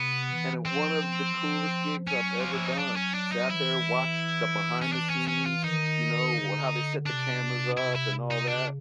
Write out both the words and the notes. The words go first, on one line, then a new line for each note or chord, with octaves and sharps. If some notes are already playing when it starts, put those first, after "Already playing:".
and one of the coolest gigs I've ever done, sat there, watched the behind the scenes, you know, how they set the cameras up and all that.
Already playing: C3 B3
E3
F3 C4
F3
F#3 C#4
F3 F4
E4
D#4
F#3 D4
C#4
D4
D#4
E3 E4
C#4
D4
C#4
C#4
F4
D#3 D#4
D3
C3 D4
C3 E4
E4
D#4
C#3 D4